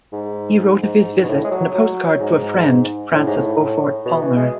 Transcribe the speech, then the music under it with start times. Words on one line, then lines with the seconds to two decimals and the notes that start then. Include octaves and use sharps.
He wrote of his visit in a postcard to a friend, Francis Beaufort Palmer.
0.12 G#2
0.82 G#2
1.23 B2
1.28 A2
1.44 G#3
1.51 F#3
1.74 F#3
2.21 G#2
3.13 A2
3.27 G#2
3.37 A2
4.06 B2
4.21 E3
4.37 G#3